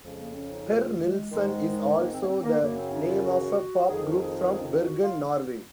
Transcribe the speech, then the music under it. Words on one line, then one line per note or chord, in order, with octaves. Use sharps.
"Herr Nilsson" is also the name of a pop group from Bergen, Norway.
F2 C#3 G#3
A#3
C#4
D#4
F4
G#3
G#2 D#3 G#3
A#3
C4
A#3
C4
A#3
F#2 C#3 A#3
C4
D#4
F4
F#4
F2 D#3 G#4
A#4
G#4
A#4
G#4
F#4
F#4
F4